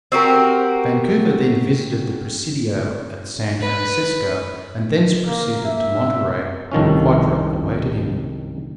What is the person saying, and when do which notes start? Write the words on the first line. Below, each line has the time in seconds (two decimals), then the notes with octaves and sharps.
Vancouver then visited the presidio at San Francisco, and thence proceeded to Monterey, where Quadra awaited him.
0.12 C4 F#4 G4 A#4
3.61 B4
5.27 A#3
5.65 E5
6.72 C2 D#3 F3 C#4